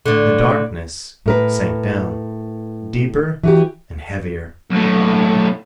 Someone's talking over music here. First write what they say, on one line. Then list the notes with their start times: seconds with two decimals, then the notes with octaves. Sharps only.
The darkness sank down, deeper and heavier.
0.06 A2 D3
1.26 A2 A#4 B4
3.43 E3 F#4 G4
4.71 B1 A2